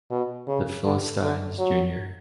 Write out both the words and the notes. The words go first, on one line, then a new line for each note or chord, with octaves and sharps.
The Philistines Jr.
B2
C#3
D3
D3
F#3